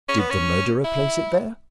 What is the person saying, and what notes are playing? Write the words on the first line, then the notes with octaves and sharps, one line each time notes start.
Did the murderer place it there?
C#4
B3
C#4
E4